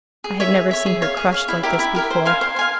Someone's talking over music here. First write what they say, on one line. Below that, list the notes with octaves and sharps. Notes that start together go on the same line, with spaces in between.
I had never seen her crushed like this before.
G#4
C#5 E5
G#4
C#5 E5
G#4
C#5 F5
G#4
C#5 F5
E4
G4 A#4 E5
E4
G4 A#4 E5
C5
F5 G#5 C6
C5
F5 G#5 C6